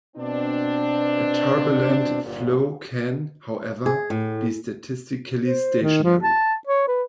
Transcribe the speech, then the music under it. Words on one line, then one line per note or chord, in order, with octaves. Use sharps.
A turbulent flow can, however, be statistically stationary.
B2 C4 D4
G1 A#2
G#4
A2
C5
D#3
F3
A5
C#5
B4